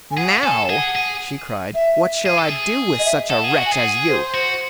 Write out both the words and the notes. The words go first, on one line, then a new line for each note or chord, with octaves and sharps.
'Now', she cried, 'what shall I do with such a wretch as you?
G#5
G#4 F#5
A4 G#5
G#4 F#5
G#4
E5
G#4
A4
G#4
D#5
E5
A4 F#5
G#4 F#5
F#4
G#5
G#4
F#5
C5
F#4